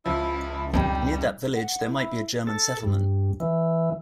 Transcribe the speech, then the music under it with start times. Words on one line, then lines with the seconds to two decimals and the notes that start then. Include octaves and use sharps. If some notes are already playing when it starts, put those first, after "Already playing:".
Near that village, there might be a German settlement.
0.06 C#2 F3 E4
0.73 F2 G3 D#4
1.55 F#5
1.87 E4
2.47 A4
2.83 G2
3.40 E3